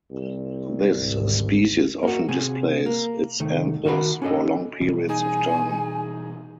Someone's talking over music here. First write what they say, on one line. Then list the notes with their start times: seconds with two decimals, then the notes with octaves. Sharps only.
This species often displays its anthers for long periods of time.
0.11 C2
0.92 G#1 D2 G#2
2.03 A#3 F#4
2.29 C3 G#4
2.86 A#3
3.40 C2 D#3 A3
3.85 D#3 F#4 A#4 F#5 B5
4.22 C#4 D4 A4 D#5
4.81 B2 E3 G3
5.09 D#4 G#4 G#5